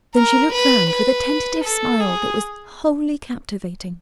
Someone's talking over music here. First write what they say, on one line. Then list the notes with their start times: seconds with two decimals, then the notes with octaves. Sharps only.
Then she looked round with a tentative smile that was wholly captivating.
0.15 A#4
0.53 B4
0.90 B4
1.64 A4
2.00 G#4